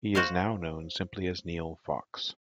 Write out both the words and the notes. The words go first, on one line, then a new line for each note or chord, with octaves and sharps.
He is now known simply as Neil Fox.
F#4 C5 F5